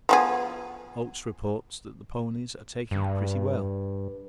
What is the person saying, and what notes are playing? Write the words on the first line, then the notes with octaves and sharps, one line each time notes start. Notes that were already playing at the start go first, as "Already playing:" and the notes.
Oates reports that the ponies are taking it pretty well.
F3 B3 G#4
G2